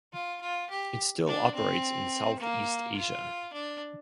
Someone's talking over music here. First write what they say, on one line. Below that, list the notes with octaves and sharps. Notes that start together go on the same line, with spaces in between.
It still operates in South East Asia.
F4
F4
G4
D4
C4
A#3
F4
D4